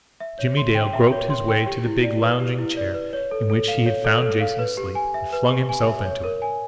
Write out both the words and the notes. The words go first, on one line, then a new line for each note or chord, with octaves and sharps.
Jimmie Dale groped his way to the big lounging chair in which he had found Jason asleep, and flung himself into it.
E5
C#5
C6
G5
E5
C#5
C6
G5
G4
E4
D5
B4
G4
E4
D5
B4
C#5
A4
A4
F5
C#5
A4
A4
F5
B4
G4
G#5
E5
B4
G4
G#5
E5
C#5
A#4
G#5